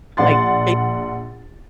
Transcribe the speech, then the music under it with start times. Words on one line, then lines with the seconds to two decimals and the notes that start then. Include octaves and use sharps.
like, they
0.17 A#1 D5 F#5 C6 A6